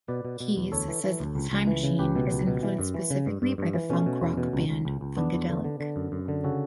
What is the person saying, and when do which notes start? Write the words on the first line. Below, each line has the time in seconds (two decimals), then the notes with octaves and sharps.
Keys says that "Time Machine" is influenced specifically by the funk rock band Funkadelic.
0.08 B2 B4 D5
0.25 B2
0.40 B2
0.56 E2
0.72 D2 A4 C#5
0.88 E3
1.04 E3
1.20 D2
1.35 C#2
1.52 C#2
1.67 E3
1.83 C#3
1.99 C#2 G4 B4
2.16 B2
2.31 C#2
2.47 B2
2.63 E3
2.78 F#2
2.94 E3
3.10 C#3
3.26 G2
3.42 G2
3.58 G2
3.74 E3
3.90 B2 A3 C#4
4.06 B2
4.21 E2
4.37 B2
4.53 C#2
4.69 C#2
4.85 C#2
5.01 C#2
5.17 E2 B3 D4
5.33 E2
5.49 D3
5.64 D3
5.80 D3
5.96 F#2
6.12 F#2
6.28 D3
6.44 C#3 F#4 A4